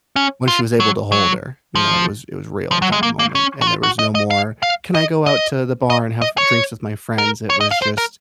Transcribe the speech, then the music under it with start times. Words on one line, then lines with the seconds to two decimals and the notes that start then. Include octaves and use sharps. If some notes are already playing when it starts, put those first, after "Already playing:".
When she was able to hold her, you know, it was it was real at that moment. And there was no more, “Can I go out to the bar and have drinks with my friends?" It was just,
0.16 C#4
0.48 F4
0.80 F#3
1.12 F#3
1.75 F3
2.72 F3
2.82 F#3
2.92 G#3
3.03 A#3
3.19 A#3
3.35 C#4
3.62 F#4
3.67 F4
3.83 F#4
3.99 D#5
4.15 D#5
4.30 F5
4.63 F5
4.95 D#5
5.26 D#5
5.90 D#5
6.22 D#5
6.38 C#5
7.18 A#4
7.50 C#5
7.61 D#5
7.71 F5
7.82 C5
7.98 A#4